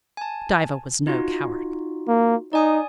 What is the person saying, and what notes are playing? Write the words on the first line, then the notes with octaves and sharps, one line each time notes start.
Diva was no coward.
G#5 A5
D#4 F4 F#4
A#3
D#4 D5 G#5 D#6